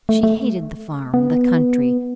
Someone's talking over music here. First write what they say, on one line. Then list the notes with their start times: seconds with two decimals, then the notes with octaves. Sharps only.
She hated the farm, the country.
0.09 A3
0.23 A3
1.14 B3